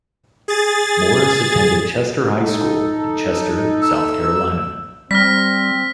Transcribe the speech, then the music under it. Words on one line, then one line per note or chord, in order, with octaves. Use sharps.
Morris attended Chester High School in Chester, South Carolina.
G#4 A6
D#4 A4
E6
G3 C4 F6 A#6 B6